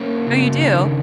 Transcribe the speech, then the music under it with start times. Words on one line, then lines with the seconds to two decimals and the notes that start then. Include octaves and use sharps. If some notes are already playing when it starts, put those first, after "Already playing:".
Oh, you do?
Already playing: A#3 C#4
0.27 C#3
0.61 D#3